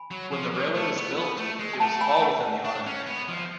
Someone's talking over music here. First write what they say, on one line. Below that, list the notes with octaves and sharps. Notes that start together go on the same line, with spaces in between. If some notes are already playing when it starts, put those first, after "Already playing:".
When the railway was built it was all within the Ottoman Empire.
Already playing: G#5 B5
F#3
F3
F#3
A3
B3
B3
A3
G#3
G#5
A3 F#5 A5
G#5 B5
G#5
F#5 A5
D4
C#4
B3
F3